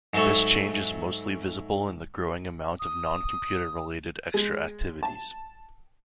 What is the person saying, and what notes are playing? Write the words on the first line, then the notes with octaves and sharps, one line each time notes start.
This change is mostly visible in the growing amount of non-computer related extra activities.
G#2 F#3 A3 A4 C#5
D#6
G#3
A5